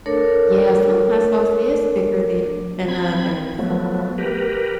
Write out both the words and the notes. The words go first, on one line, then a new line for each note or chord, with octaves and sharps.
Yeah, some hot sauce is thicker than than others.
A3 D4 A4 A#4 C#5 D6
C4 B5 G#6
F3 F#3 A3 B3
G4 A#4 B4